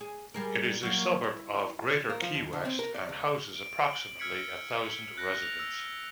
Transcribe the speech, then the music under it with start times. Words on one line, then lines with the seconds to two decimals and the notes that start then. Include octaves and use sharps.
It is a suburb of greater Key West, and houses approximately a thousand residents.
0.01 G#4
0.34 G3 G#4 A#4
0.83 F#3 A#3
1.24 E4
2.10 A#3
2.22 F3
2.35 D#2
2.53 D3
2.65 C4
2.79 A#4
2.95 D5
3.09 C#2
3.56 D7
3.93 F#7
4.19 E6 F6 G#6 B6 C#7 F#7
5.17 F#6 A#6
5.42 F7
5.59 E6